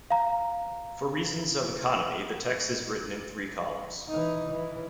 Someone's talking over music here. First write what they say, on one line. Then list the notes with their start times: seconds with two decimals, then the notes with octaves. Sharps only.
For reasons of economy, the text is written in three columns.
0.11 F5 A#5
4.08 E3 D#4
4.51 E3